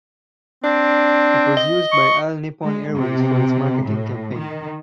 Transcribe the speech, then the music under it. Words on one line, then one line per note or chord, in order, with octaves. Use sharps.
It was used by All Nippon Airways for its marketing campaign.
C4 D4
D#5
C#6
G#3
C3
A2
D#3